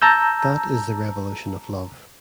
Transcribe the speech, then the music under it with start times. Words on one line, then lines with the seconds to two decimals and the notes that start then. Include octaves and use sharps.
That is the revolution of love.
0.02 A5 A#5 E6 G6